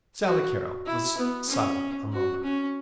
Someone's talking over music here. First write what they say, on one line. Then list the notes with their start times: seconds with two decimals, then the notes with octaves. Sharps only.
Sally Carrol was silent a moment.
0.23 F#4
0.86 E4
1.17 B3
1.48 C#4
2.12 F#4
2.43 C#4